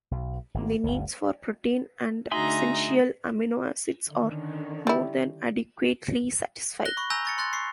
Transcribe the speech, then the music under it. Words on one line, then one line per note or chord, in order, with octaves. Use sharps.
The needs for protein and essential amino acids are more than adequately satisfied.
B1
G#1 A#3
G1 D2
D3 A3 D#4 F#4 G#4 E5 A#5 C6
D3 D#3 C#4
G3 E4
F#6 A#6 G7
B5 C#6
G#5 A#5 E6 G6 A#6 F7
C#6 A6 C#7
C6 F#6 A6
C#6 C7